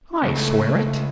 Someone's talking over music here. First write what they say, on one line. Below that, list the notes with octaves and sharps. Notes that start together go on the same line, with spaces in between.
"I swear it."
C#2 A3